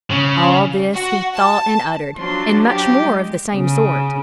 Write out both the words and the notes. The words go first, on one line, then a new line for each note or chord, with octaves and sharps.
All this he thought and uttered, and much more of the same sort.
C#3
F#4
A5
F3 F#3 D4 C6
G4
G#3
C#3